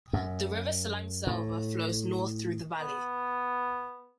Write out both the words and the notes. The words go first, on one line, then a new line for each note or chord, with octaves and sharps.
The river Salangselva flows north through the valley.
F#2
A2
B3